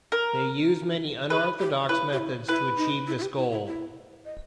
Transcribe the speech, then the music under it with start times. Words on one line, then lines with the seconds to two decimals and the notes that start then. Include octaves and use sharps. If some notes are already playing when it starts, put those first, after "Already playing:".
They use many unorthodox methods to achieve this goal.
0.12 A#4
1.30 G#4 B4
1.59 G4
1.89 E4 B4
2.12 G4
2.18 E4
2.48 E4 B4
2.77 D#4
3.07 E4
3.18 E4
3.22 G4
3.37 E4
3.52 E4
3.66 E4
4.25 D#5